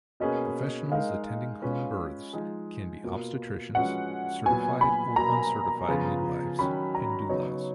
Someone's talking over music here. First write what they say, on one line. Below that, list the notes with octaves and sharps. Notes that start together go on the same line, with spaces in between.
Professionals attending home births can be obstetricians, certified or uncertified midwives, and doulas.
B2 A#3 C#4 G#4 B4 D#5
G#3 D#4 A#4 F5
G#3 C#4 F4 B4
F3 G#3 D#4 G#4
B2 A#3 F4
F3 G#3 C#4 F#4 B4 F#5
A#2 F#3 B3 F#4 G#5
B5
B2 F#3 A#3 A#5
C#3 F3 B3 F4 G#4
D#3 F#3 C#4 F#4 B5
A#5
C#3 F#3 B3 D#4 C#5